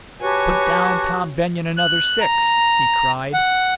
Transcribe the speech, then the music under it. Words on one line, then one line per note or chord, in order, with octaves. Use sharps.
"Put down Tom Benyon another six!" he cried.
F#4 G4 B4 C#5 G#5 A5
F#6
A#5
F#5